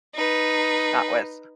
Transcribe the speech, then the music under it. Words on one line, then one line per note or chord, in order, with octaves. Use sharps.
not with
D#4 B4